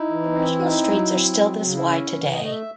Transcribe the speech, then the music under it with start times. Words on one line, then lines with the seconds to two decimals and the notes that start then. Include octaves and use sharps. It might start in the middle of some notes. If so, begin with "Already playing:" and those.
The original streets are still this wide today.
Already playing: D#4 E4
0.10 E3
0.35 C4
0.61 D#4
0.86 F#3
1.11 C4
1.37 F#3
1.62 C#3
1.74 E4
1.87 C#4
2.12 E3
2.31 D#5
2.37 A3
2.44 D#5
2.51 E5